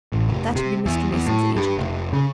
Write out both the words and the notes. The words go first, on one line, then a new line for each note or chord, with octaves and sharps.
That be Mr. Mason's agent.
A1
F1
C3
E2
E2
A2
G2
F1
C#3